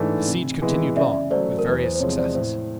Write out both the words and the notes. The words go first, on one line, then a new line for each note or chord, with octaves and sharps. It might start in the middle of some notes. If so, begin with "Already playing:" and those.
The siege continued long, with various success.
Already playing: G#2 E3 A3 D4
C3
E3 G#3 B3 E4
C#3 D5 E5
F#3 A3 C5 D5
A#4
E2 B4
C5
C5
C3 F3 G#3 C#5
C5 D5
A2 C5